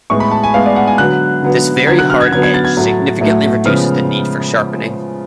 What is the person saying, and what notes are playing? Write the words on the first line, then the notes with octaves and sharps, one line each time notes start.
This very hard edge significantly reduces the need for sharpening.
A2 G#3 B3 C#6
B5
A5
G#5
A2 G#3 B3 F5
D5
F#5
G#5
D3 F#3 B3 F#6
D3 F#3 B3
D3 F#3 B3 G#6
F#6
F6
G#6
D3 F#3 B3 G#6
G#6
A6
G#6
A2 F#3 A3
A2 F#3 A3
C#3 F3 G#3 B3 F6